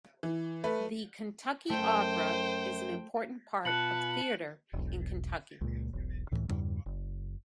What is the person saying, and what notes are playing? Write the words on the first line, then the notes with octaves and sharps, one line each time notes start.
The Kentucky Opera is an important part of theater in Kentucky.
E3
A3 B4
F#2 A3 C5 G5
B2 F4 A5 B5 F#6 C#7 F#7
E1 B1
C#2 A#2
E1 B1
C#2 A2 E3
E2 G2 C#3 G3
F#1